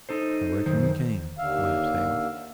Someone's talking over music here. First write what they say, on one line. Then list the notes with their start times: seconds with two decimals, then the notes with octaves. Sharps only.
"I reckon you can," laughed Hale.
0.09 D#4 A4 C5
0.66 F#2 D#3 C5
1.38 D#2 D3 E5 F5